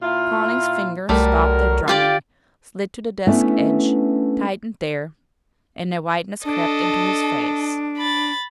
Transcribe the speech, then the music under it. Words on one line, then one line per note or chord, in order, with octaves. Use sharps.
Carling's fingers stopped their drumming, slid to the desk edge, tightened there, and a whiteness crept into his face.
A#2 E4 F4
C2 F#3 G3 A3 A#4
F4 G4 D5
A3 B3 C#4 D4 E4
D4 A4 D#5
B5 A6